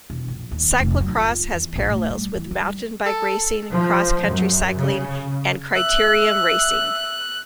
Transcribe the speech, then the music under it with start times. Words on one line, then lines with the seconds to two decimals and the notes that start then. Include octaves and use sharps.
Cyclo-cross has parallels with mountain bike racing, cross-country cycling and criterium racing.
0.10 E1
0.28 A#1
0.51 D#2
0.80 F1
1.01 F#3
1.17 F4
1.54 E2
1.76 A#1
1.90 A2
2.10 G3
2.35 E3
2.51 G3
3.06 A4
3.71 F3
4.27 F#2
4.78 C#3
5.75 E5 F#6